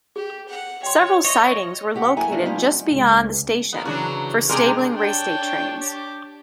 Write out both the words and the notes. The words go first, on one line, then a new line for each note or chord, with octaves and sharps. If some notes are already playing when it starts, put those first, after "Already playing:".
Several sidings were located just beyond the station for stabling raceday trains.
G4 G#4
F#5
C#5 G5 C6
C#5 D#5 E5
C4 G4 F#5
F#2 E4 G4 A4 G#5 A#5
E3 F3 A3 C#4 D4
F3 G3 C#4 D#4 F4 G4
C#2
A#3 B3
C#3 E3 F#3 D4 F#4
C3 G#3 D4 G4 G#4 A#4
D4 C#5 G5
G4